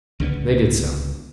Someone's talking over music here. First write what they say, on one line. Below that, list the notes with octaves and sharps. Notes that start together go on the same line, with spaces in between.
They did so.
C#2 D3 F3 B3